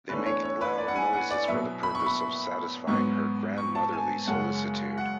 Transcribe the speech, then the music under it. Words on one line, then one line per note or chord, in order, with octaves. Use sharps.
They make loud noises for the purpose of satisfying her grandmotherly solicitude.
E2 D3 A3 C#4 B4
C#5
C#5
B4
D5
F#5
G#5
F#5
D5
B2 F#3 B3 E5
B5
C#6
B5
G#2 F#3 B3 C#6
C#6
A5
G#5
F#2 C#3 G#3 C#4 F#5
F#5